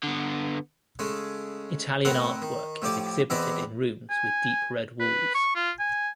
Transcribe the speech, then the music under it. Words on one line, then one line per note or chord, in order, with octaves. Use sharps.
Italian artwork is exhibited in rooms with deep red walls.
D3 B3
C#3 G#3 A3
A2 C4 A#4 F#5 B5 D#6
D#3
A2 F3 G4 D5
E2 E3 B3 C4 D5 D#5
G#5
B4
C#6
F4
G#5